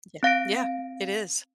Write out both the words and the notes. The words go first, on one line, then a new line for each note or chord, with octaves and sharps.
yeah yeah, it is.
C4 F5 A#6 D7